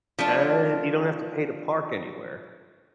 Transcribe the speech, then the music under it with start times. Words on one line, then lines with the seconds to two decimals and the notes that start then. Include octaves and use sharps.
and you don't have to pay to park anywhere,
0.19 F3 A3 D4